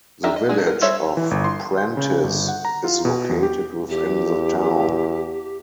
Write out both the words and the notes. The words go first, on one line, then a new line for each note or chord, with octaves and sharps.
The Village of Prentice is located within the town.
D#3 D4 G4 E5 A#5
D#5
F#3 G#3 D4 G#4
B3 A#4
G3 A4 C5 C#5 E5
E3
G1
C6
G6
C#3
G1
F#5
A#5
F4
B2
E2
G4
E2 G4